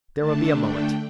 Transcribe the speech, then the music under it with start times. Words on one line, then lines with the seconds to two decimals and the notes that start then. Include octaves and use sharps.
There will be a moment!
0.16 D3 A3 D4 A5
0.58 G5